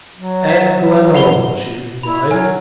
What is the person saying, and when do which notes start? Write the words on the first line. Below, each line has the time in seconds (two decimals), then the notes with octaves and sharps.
"At Glenalla," she replied.
0.16 F#3
0.49 F#5 B6
1.15 F#5 B5 G7
2.03 E4 B5
2.31 F#3 G#5 F6 G#6